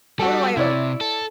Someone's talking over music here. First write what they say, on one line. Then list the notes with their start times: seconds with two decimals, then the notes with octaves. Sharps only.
"What do I owe you?"
0.19 G3 F#4 A4
0.57 C3 E4 C#5 D5
1.01 A4